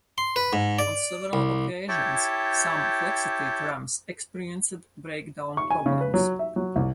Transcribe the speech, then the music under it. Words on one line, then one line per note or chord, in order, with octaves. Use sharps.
On several occasions, some Flexity trams experienced breakdown problems.
C6
B4
G#2
D5
C2
E4 G4 C#5 G5 A5
C#6
G#5
C#3
B4
F#3
E5
F#3
C2